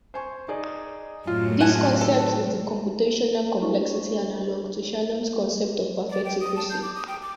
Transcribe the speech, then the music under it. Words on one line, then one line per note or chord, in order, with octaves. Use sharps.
This concept is the computational complexity analogue to Shannon's concept of perfect secrecy.
C5 G#5 C#6
D#4 G#4 D5
F#2 A2 C3 F4
F#5 G#5 A5
D#3 A4
D4 E4 F#4 G4 C5 C#6
D5
G5
D#6
A5
G6
D6
D#6
G5
D6